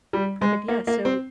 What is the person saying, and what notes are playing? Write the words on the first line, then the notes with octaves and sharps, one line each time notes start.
Perfect, yeah, so,
G3
G#3
A#3
A#3
C4